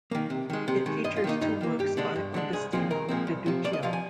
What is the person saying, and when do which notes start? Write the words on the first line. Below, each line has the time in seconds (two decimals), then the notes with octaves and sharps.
It features two works by Agostino di Duccio.
0.11 D#3 A#3
0.30 C3
0.50 D#3 G#3
0.68 C3
0.86 D#3 G#3
1.04 G2 D#5
1.16 F4
1.24 D#3 A#3 D#4
1.41 G2 D#4
1.61 D#3 A#3
1.79 G2 G4
1.97 D3 G#3 D4
2.16 G2
2.34 D3 G#3 D4
2.53 C2 G#4
2.72 A#2 F3 G#3 C4
2.90 C2 A#4
3.09 A#2 F3 G#3 C4
3.27 C2
3.46 C3 F3
3.64 C2 D5
3.73 D#5
3.83 C3 F3 F5
3.93 G#5